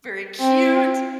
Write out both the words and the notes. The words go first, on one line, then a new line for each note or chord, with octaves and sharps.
very cute.
C4